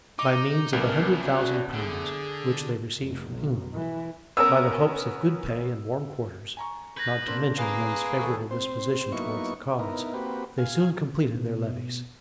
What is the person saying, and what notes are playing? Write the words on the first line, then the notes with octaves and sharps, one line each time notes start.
By means of a hundred thousand pounds, which they received from England; by the hopes of good pay and warm quarters; not to mention men's favorable disposition towards the cause; they soon completed their levies.
D#4 D6
C2 B3 C#4 D4 A#4 B4
F#4 D5 F#6
D3 G#4
F1
B1
E3
B3 C#4 A#4 E6
G#5 A#5 C#6
B4 G6 G#6 A#6
A#3 C4 D4
G#4 B4 F5 A#5
D#1 A4 C#6
C4 C5
F#3 A#3 B3 D#4 E4 C#6
B3 D#4 E4 A#4
A#3 C4 F#4 G4 B4
F5 G#5
B2